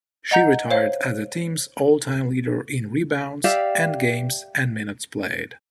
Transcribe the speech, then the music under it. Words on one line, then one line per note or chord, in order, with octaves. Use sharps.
She retired as the team's all-time leader in rebounds, and games and minutes played.
D#5 F#5 A#5 G6
C5 C#5 F5
G4 D5 E5 F5